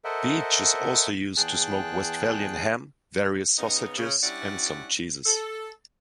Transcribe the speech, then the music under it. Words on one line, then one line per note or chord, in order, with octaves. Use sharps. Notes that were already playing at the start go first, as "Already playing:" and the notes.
Beech is also used to smoke Westphalian ham, various sausages, and some cheeses.
A4 A#4 C5 D#5 E5 F#5
E2 G#4 G5 A5 F#6
C#3 B3 D#4
C#3
G3 C#4 D4 E4 D5 F#5
A4